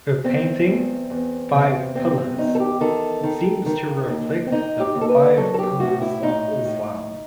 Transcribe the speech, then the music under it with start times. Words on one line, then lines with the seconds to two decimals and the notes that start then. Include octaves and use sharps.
Her painting "Five Pillars" seems to reflect the Five Pillars of Islam.
0.24 E2 C4
0.67 E2
1.10 E2
1.53 C3
1.95 E2 C4
2.17 C4
2.38 E2 D#4
2.55 A4
2.60 G4
2.81 D#3 A4
3.23 D#3
3.66 D#3
4.09 D#2
4.46 C4
4.51 D#3 D#4
4.80 G4
4.95 D#2
5.01 A4
5.09 B4
5.37 F#3 A4
5.54 A4
5.59 G4
5.80 A2 F#4
6.01 E4
6.22 A2 D#4
6.65 A2